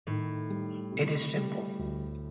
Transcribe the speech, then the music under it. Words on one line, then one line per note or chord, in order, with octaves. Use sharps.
It is simple.
A2 D#3
G3
C3
G3
D2